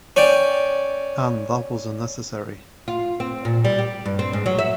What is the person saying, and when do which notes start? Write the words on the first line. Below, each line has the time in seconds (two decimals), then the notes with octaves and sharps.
Ann, that was unnecessary!
0.16 C#4 D5 G5
2.88 F4
3.20 C4
3.45 A#2
3.65 G3
3.78 G4
4.06 G2
4.19 C4
4.33 G#2
4.46 F#3
4.59 E5